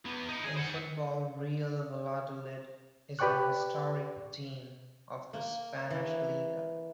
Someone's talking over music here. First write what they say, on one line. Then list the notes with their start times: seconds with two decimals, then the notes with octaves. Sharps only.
In football Real Valladolid is an historic team of the Spanish Liga.
0.05 E2 B3
0.28 D#4 E4
0.44 G#4
0.57 C5 F#5
3.19 G4 B4 D5 G5 C#6 F#6
5.33 A#3
5.90 E3